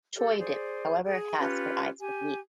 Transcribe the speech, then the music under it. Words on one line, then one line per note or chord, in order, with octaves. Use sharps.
Choi-dip, however, has her eyes on Yik.
G4 A4
G#4 C5 D5
G#4
C#4 F4 G4 B4
G4 G#5